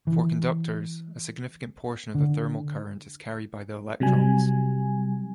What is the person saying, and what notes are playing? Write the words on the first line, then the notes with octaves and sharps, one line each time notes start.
For conductors, a significant portion of the thermal current is carried by the electrons.
E3
D3
C3 F#3 G3 G#5